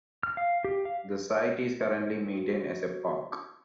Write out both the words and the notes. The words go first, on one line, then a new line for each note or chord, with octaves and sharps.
The site is currently maintained as a park.
F6
F5
G4
F5
F#4